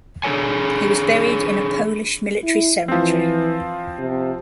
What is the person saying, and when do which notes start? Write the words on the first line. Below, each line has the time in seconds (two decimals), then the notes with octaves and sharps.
He was buried in a Polish military cemetery.
0.24 D4 G#4 A4 C#5 G#5
2.43 E4
2.88 E3 F3 C4
3.99 C3